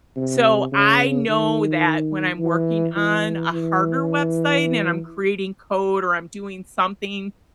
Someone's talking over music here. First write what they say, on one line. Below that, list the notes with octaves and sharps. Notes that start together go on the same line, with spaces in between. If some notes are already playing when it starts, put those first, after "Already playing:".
So, I know that when I'm working on a harder website, and I'm creating code or I'm doing something
C3
C#3
D#3
E3
E3
E3